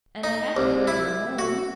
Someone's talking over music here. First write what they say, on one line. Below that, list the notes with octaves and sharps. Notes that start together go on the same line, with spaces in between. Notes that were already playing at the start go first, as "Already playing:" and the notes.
And I had to bring her home.
D#4
C2
E4
F#4